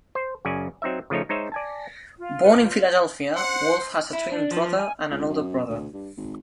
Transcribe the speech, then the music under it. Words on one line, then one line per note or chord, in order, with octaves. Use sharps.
Born in Philadelphia, Wolfe has a twin brother and an older brother.
C5
F#2 C#3 C#4 D5 G#5
F#3 C4 D#4 C#5 E5
C#3 F3 A3 D#4 C#5
G#3 D#4 C5 C#5 E5
D5 G#5 A5
F4
B4 C#5
C5 F#5
E4
D4
F3
G#5
C#2
F#2
D2
G2
G#1